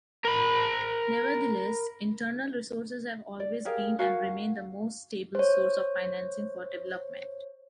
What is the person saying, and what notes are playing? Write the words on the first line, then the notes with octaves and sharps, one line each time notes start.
Nevertheless, internal resources have always been and remain the most stable source of financing for development.
A#4 B5
D5
G4 G#4 A#4 F5
F#4 A#4 F5 G#5
C5 C#5